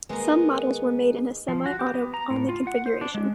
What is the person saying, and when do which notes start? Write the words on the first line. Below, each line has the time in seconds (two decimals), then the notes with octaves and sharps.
Some models were made in a semi-auto only configuration.
0.09 D#3 G#3 A#3 B3 A#5
1.48 F3
1.66 F#4
1.79 G4
1.94 B3
2.14 A#5
2.30 A2
2.49 F4
2.67 F#5
2.86 C5
3.01 D4
3.15 G#3